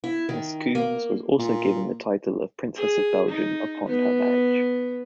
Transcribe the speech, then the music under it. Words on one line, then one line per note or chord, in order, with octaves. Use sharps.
Miss Coombs was also given the title of Princess of Belgium upon her marriage.
E4
D#3
A#3
A#2
G#4
D#4
B3